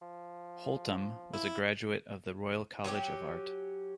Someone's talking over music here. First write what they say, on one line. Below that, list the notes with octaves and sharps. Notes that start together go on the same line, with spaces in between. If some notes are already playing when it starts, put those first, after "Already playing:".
Holtom was a graduate of the Royal College of Art.
F3
E4
F#3 C#4 D#4 G4